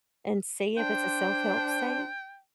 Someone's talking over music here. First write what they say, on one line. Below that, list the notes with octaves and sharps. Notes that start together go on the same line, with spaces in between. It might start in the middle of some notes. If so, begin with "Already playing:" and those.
and see if it's a self-help state
D4 C5 G5